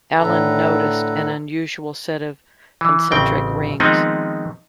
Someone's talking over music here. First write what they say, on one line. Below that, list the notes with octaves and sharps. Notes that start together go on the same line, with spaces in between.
Allen noticed an unusual set of concentric rings.
A2 D3 A4 B4 A#5
E3
A1 C#3 C4 G5
D#3 F3 G#3 B3 C4 D#4